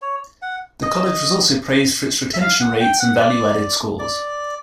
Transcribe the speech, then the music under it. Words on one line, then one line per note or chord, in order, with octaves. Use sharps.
The College was also praised for its retention rates and value-added scores.
C#5
F#5
D#5
E5
F5
F#5
G5
F#5
D5
D5